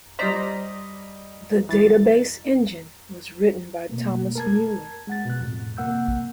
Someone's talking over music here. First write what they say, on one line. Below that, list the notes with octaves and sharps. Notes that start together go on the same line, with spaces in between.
The database engine was written by Thomas Mueller.
G3 C5 D5 D#5 A#5 B6
E3 A6
B2 A3 A#3
A#4 A5 G#6
G#3 F#5 A6
B2 F#6
F2 A2
G2 C3 A#3 F#5 E6 G6